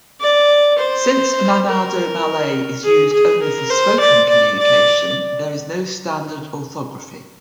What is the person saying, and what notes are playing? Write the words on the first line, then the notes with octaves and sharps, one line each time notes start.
Since Manado Malay is used only for spoken communication, there is no standard orthography.
D5
C5
A#4
G#4
G#4
A#4
C5
D5
D5
D5